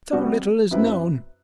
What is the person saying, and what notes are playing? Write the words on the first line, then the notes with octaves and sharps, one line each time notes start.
"So little is known."
C3 G3 B3 F#4
F#2 F#3 C4 E4 B4